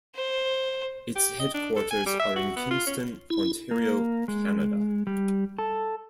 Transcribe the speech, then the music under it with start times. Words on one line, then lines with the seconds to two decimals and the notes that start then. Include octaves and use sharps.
Its headquarters are in Kingston, Ontario, Canada.
0.16 C5
1.16 G4
1.39 D#5
1.54 D4
1.76 A4
1.91 G#5
2.06 G3
2.19 E5
2.36 F#4
2.56 B3
2.71 F4
2.87 C#4
3.30 E4
3.71 A#3
4.28 G#3
5.07 G3
5.58 A4